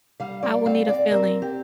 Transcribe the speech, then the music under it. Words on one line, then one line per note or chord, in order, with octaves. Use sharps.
I will need a filling.
G3 F5
D5
C4 F5
D5
C4 A#4
G4